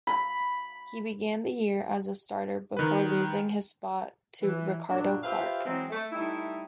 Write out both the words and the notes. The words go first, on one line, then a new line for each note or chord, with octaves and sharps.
He began the year as a starter before losing his spot to Ricardo Clark.
B5
D#3 B4
E3
F#2 A#2 F#3 A#3 D4
F4 G4 B4 C5 E5 F5
E3 F#3 G#3 C4
A3
G3 A3 D#4 E4